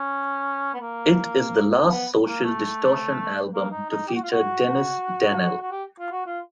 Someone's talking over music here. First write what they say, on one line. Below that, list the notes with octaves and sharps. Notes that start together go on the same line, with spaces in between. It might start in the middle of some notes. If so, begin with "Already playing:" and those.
It is the last Social Distortion album to feature Dennis Danell.
Already playing: C#4
B3
A#3
B3
A#3
A3
A#3
D#4
D#4
G4
F#4
F4
F#4
F#4
G4
F4
F#4
F4